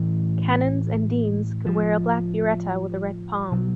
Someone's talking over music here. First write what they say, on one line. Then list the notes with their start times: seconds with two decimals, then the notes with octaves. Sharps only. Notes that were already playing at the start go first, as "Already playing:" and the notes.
Canons and deans could wear a black biretta with a red pom.
Already playing: A2 E3
1.66 F3
3.52 B2 F#3